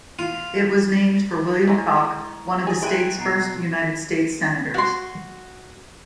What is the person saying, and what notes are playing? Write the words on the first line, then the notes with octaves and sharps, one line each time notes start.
It was named for William Cocke, one of the state's first United States Senators.
F4
E3 G#3 A#5 C#6
G#4
E4 G5 G#5 C6 F#6
B2 A#5 C7
F#4 C6